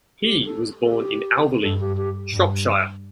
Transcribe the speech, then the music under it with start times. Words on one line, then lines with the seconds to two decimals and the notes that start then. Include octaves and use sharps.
He was born in Alveley, Shropshire.
0.22 G4
0.45 A4
0.83 A4
0.93 G4
1.62 G2 A4
1.80 G4
1.97 G4
2.33 G2